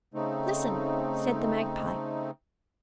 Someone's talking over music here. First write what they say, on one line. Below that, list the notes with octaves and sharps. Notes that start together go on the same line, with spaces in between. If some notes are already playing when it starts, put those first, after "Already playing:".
"Listen," said the Magpie.
C#3 A3 C4 D#4